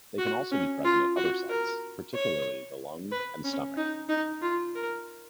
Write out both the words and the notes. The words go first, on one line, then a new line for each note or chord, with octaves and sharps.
They can also be present at other sites, particularly the lung and stomach.
F#4
C#4
F4
F#4
A#4
C#5
B4
C#4
D#4
D#4
F4
A#4